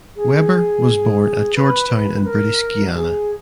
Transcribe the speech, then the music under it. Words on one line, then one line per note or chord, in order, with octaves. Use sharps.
Weber was born at Georgetown in British Guiana.
G#4
B4
B4
B4
A#4
F#4
G#4